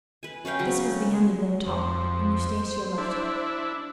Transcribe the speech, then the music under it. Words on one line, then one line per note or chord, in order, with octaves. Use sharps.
This was the end of their talk, and Eustacia left him.
B4 G#5
C#4 B4 F5 G5
C#3 F#3
F2 C5
D4 E4